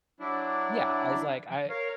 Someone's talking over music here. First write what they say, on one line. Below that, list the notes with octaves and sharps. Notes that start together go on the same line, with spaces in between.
Yeah as, like, I
F#3 D4 E4
A#4 C#5 F5